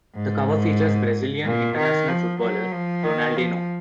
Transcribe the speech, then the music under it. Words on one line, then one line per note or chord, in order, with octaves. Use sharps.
The cover features Brazilian international footballer Ronaldinho.
G#2
A#2
D#3
F3
F#3
F3
D#3
F3